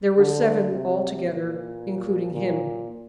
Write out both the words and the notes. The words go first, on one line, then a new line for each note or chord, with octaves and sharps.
There were seven all together, including him.
D3
C3
A#2
A#2